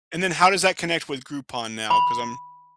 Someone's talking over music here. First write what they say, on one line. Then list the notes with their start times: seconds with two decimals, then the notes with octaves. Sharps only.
and then how does that connect with Groupon now, 'cause I'm
1.90 B5